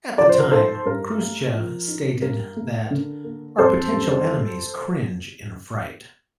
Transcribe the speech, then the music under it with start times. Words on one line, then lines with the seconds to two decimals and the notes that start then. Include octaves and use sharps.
At the time, Khrushchev stated that "our potential enemies cringe in fright".
0.17 F3 D5
0.29 C5
0.40 A#4
0.51 D#4 A4 C5
0.86 G2 A#4
1.20 A3
1.54 F3
1.88 D#4
2.22 G2 A#4
2.57 A3
2.91 D3
3.24 A#3
3.58 F2 A4 C5
3.92 G3